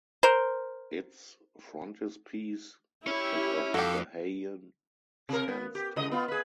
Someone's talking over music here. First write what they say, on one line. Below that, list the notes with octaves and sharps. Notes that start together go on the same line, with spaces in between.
Its frontispiece is of Bahian sandstone.
A#4 C5
C#4 E4 G4 C#5
F2 F#4 G4 A4 F5
C3 A#4
B3
G4
C#3 D#5
B3 F4
G#4 B4